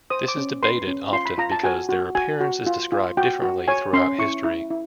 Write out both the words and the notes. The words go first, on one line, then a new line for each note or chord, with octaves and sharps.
This is debated often because their appearance is described differently throughout history.
C5 D#6
D6
C#4
B4 C6
C#4
F4 C6
B5
F4 A#5
A5
F#4 G#5
F#4
F#4 G#5
F#4
F4
F4
F#4 G5
F#4
C#5 G#5
C#4 C6
E4 C#6
E4
E4